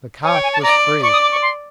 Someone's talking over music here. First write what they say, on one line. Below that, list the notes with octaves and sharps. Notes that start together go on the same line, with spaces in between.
The cart was free.
C#5 G#5
G5
G#5
A5
D5 A#5
D5 C#6
D#6
D6
C#6
C6